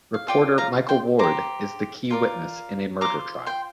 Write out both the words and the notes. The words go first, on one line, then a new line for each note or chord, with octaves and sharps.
Reporter Michael Ward is the key witness in a murder trial.
F5
F4 D5 G5
F5 A#5
G5 C6
G4 C5 A#5 D6
F4 A#4 D5
F4 C5 A#5 D6
G5 C6